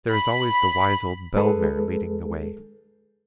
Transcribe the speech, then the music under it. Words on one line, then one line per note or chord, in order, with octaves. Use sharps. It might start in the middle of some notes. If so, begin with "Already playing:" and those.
There is always the wise old bell-mare leading the way.
B5
G#3 G#4 A4 B4